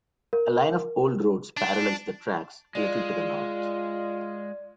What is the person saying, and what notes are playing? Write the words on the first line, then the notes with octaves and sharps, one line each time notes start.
A line of old roads parallels the tracks, a little to the north.
A#4
D4
G#3 F4 D5